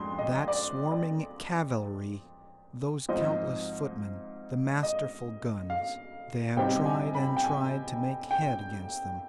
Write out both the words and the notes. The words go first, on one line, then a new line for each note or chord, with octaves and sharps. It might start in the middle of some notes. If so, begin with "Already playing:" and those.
That swarming cavalry, those countless footmen, the masterful guns--they had tried and tried to make head against them.
Already playing: F2 G#3 D4 C6
D#5
D5
D5
G#2 F3 C4 D#4 D#5
D#5
F5
C3 G3 C4 D#4 G5
G#5
B5
G5
G#5
G5